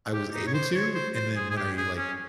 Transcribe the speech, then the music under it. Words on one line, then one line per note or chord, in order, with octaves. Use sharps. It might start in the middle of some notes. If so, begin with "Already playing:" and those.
I was able to, and then when I, like,
G4
D#4
C#5
C5
C#5
C5
C5
G#4
G#4
G4
G#4
C#4